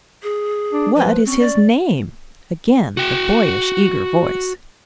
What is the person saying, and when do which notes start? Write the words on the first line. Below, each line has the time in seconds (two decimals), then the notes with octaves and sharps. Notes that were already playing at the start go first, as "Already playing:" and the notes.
"What is his name?" Again the boyish, eager voice.
0.23 G#4
0.73 D4
0.96 F3 B4
1.25 C4 C#4
1.39 D5
2.97 F#4 G5